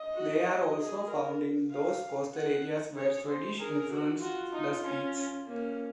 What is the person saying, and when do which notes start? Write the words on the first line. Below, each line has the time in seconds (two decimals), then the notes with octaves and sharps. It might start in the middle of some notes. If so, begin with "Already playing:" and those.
They are also found in those coastal areas where Swedish influenced the speech.
Already playing: D#5
0.15 F#4
0.78 G#4
1.08 A#4
1.71 F5
2.34 F#5
2.96 G#4 C#5
3.27 C5
3.58 G#4 A#4
3.90 F#4
4.21 F4 F#4
4.53 D#4
4.84 C#4
5.47 A#3 C#4